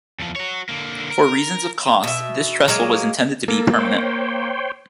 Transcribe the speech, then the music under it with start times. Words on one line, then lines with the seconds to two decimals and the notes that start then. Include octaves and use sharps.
For reasons of cost, this trestle was intended to be permanent.
0.19 E2 F3
0.36 F#4 C#5
0.69 D3 A#3
1.11 A#4
2.03 B2 E5
2.68 F#3 G#3 A#3
3.48 A#3 A4
3.78 C5 C#5 G5